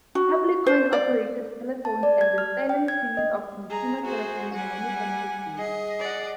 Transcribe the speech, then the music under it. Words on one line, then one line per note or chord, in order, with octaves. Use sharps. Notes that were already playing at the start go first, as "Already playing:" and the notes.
Public coin-operated telephones and the "Styleline" series of consumer telephones were manufactured there.
F#4
C5
D5
A5
D5
G#6
F6
G5
G#6
D#5
G#4 A#5
F#4 G#4 C5
G3 F#5 G#5
G3
G#4 D#5
D5 F#5